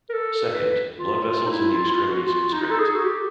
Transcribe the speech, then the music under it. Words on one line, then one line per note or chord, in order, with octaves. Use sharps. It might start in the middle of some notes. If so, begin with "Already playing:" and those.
Second, "blood vessels in the extremities constrict".
A#4
A4
B4
F4
F4
D#4
E4
F4
F4
F#4
F4
D#4
A4
G#4
F#4
G4